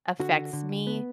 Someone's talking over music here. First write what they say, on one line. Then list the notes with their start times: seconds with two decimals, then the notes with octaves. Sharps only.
affects me,
0.20 D3 F#4
0.53 D3
0.87 B3